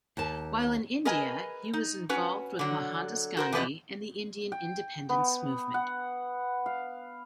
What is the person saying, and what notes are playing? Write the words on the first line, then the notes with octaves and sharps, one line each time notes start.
While in India, he was involved with Mohandas Gandhi and the Indian independence movement.
D#2 A5
G#4 A#4 B4 D#5 G#5
D#4
C#4 F#4 B4
D3 F#3
F#4 A#4 C5
E2 F3 B4 D5 D#5
G5
B3
F#5
F5